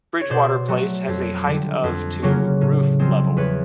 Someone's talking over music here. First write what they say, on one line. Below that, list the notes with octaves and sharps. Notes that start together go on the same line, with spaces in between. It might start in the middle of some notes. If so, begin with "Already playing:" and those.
Bridgewater Place has a height of to roof level.
C#5
B2 C5 D5
F#3 A3
F2
D3 G3
F2
C#3 F#3 A#3 C#4
A2
F3 G#3 C4
E2 B4 C#5